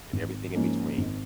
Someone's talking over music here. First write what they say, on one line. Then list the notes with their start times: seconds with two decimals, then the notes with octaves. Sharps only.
And everything in between.
0.13 G#1
0.55 G#2 F3 A#3 C#4
0.97 G#1